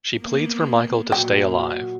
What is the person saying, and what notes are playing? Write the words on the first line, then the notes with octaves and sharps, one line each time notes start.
She pleads for Michael to stay alive.
A#3 B3
A#2 F#3 G5